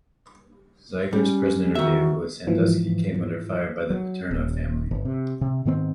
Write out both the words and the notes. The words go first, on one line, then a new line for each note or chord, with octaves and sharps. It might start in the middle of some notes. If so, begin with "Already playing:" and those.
Ziegler's prison interview with Sandusky came under fire by the Paterno family.
G3 C#4
D#3 F#4 E5
G#2 E3 F3
F#3
D#1
G1
C3
C3
G#2 D#3 B3 C4